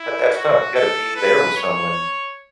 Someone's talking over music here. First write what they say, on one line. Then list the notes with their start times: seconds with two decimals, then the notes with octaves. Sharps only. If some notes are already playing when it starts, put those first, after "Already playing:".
But that's tough, you gotta be there with someone.
Already playing: E4
0.34 F#4
0.75 A4
1.16 B4
1.57 C#5